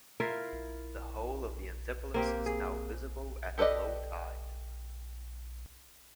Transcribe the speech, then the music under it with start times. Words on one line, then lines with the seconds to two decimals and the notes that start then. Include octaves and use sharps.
The hull of the Antipolis is now visible at low tide.
0.20 E4 F4 A#4 E5
2.14 A#3 C4 G4
2.46 G#4
3.58 G4 A4 B4 D5 D#5